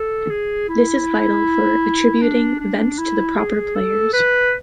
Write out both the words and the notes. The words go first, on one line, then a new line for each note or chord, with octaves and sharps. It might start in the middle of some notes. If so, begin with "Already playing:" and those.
This is vital for attributing events to the proper players.
Already playing: A4
G#4
E4
D4
D4
E4
G#4
A4
B4